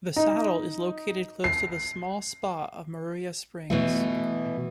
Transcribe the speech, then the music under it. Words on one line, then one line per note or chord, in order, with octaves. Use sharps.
The saddle is located close to the small spa of Maruia Springs.
D#4
C7
B2 E3 A3